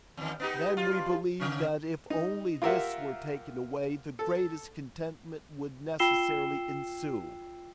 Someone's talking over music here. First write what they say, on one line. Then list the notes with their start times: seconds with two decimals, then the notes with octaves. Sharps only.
Then we believe that if only this were taken away, the greatest contentment would necessarily ensue.
0.17 E2 D#3
0.40 B3 D#4 G4
0.77 G2 F4
1.40 C#3 C#4
2.10 D#4
2.62 F4 G4 A#4 E5 F#5
4.19 A4
5.99 F4 G5 E6 C7 E7 G7